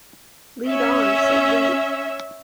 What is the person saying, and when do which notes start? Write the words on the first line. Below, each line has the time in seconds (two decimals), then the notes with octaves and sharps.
"Lead on," said Lee.
0.69 C#4 E5